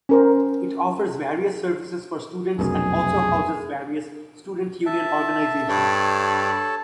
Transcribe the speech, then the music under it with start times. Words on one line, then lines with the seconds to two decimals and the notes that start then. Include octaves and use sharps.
It offers various services for students and also houses various Student Union organisations.
0.09 C#4 A#4 C5
2.59 F1 B1 F#2 G#4
4.86 E5 A5
5.69 G2 A4 C#5 A5